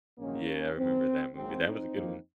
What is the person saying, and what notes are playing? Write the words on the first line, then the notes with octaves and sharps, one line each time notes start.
Yeah, I remember that movie. That was a good one.
A#1 G#2 D#3 F#3 A#3 C#4
F#2 D#3 G#3 C4
G#1 G#2 F#3 A#3 C4
C4 D#4
F2 D#3 A#3